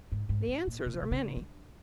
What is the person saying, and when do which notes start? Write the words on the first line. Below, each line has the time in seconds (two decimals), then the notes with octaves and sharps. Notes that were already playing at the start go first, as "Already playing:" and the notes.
The answers are many.
0.12 G#2
0.29 G#2
0.48 A2
0.67 A#2
0.86 B2
0.94 A#2
1.02 B2
1.11 C#3
1.36 D3